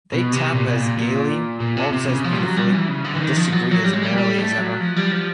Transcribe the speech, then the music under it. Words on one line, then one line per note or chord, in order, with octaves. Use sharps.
They tap as gayly, waltz as beautifully and disagree as merrily as ever.
B2
C3
A#2
B2
A#2
A#2
A#2
C3
C3
C#3
F3
G3
F#3
G3
E3
C#3
D3
E3
D#3
F3
F#3
F3
F#3
G3
G#3
G3
G3
A3
F#3
F3
G3
F3